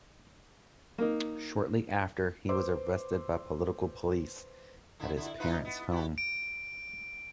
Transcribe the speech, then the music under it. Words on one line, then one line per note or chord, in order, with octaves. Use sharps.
Shortly after, he was arrested by political police at his parents' home.
A#3 D#4
B4 C5 C6 D6 E6
D3 E4
D3 E4
D#4 F4 B4
B3
E4 F#4 G4
D7